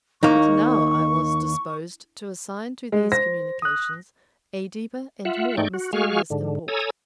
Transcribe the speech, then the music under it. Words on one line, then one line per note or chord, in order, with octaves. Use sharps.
But now I was disposed to assign to these communications a deeper and more mysterious import.
D#2 A#3 D#4 C#6
G#3
C5 A#6
D#6 F#6
F4 E5 F#5
G#2 A3 D#4 D5 G5 C#6
F#4
G#3 F#4 G#4 F5 C#6 F6
G#2 D3
A4 C#5 G#5 A#5 D#6 E6